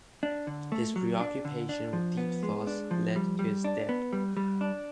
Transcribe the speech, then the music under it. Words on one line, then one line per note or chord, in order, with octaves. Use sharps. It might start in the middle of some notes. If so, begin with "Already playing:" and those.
His preoccupation with deep thoughts led to his death.
D4
D3
A3
F#3
D4
D3
D4
F3
B3
G#3
D4
F3
G3
G3
D4
B3
G3
G3
D4